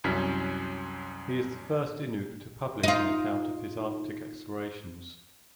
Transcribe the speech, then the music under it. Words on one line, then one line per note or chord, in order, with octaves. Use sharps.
He is the first Inuk to publish an account of his Arctic explorations.
C2 F#2 C#4 B6
D#4 F4